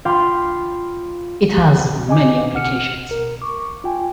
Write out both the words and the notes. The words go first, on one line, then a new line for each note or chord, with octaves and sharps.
It has many applications.
F4 F5 G5 B5 C6 D6
D#5 G#5 D6
A1 B2 F#5 F6 C#7
A#4
C#6 D6
F4 G5 G#5